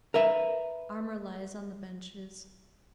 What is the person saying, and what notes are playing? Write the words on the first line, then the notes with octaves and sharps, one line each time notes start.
Armor lies on the benches.
A#4 B4 E5